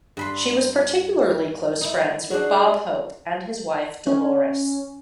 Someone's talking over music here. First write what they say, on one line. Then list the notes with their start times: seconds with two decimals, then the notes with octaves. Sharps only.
She was particularly close friends with Bob Hope and his wife Dolores.
0.17 G2 B5 C6
1.81 D#4 E4
2.31 D4 F#4 G#4
4.07 C#4